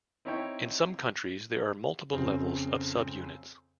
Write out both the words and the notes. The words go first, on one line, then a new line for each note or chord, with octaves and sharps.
In some countries, there are multiple levels of subunits.
C4 D#4 E4 C#5 E5 G5
F2 C#3 C4